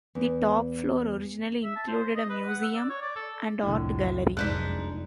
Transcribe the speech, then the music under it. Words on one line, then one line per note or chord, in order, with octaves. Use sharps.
The top floor originally included a museum and art gallery.
E2
E5
A5
C5
D#5
B4
F#5
E6
D5
C#5
D5
A4
C2 F2 A2 D3
F1 F#2 G#3 D4 D#4 F#6 G6 B6